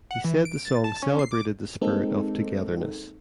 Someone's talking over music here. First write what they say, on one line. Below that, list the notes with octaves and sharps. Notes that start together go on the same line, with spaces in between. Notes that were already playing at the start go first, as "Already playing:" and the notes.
He said the song celebrated the spirit of togetherness.
F#5
E3
D7
A6
A5
C#4
C7
D6
G#3 A#3 C4 D#4 A4